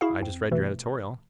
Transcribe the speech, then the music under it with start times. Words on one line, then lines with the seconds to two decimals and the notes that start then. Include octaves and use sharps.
"I just read your editorial."
0.01 E4 F#4 G#4 F5
0.22 F2 C4
0.51 B2 E3 A3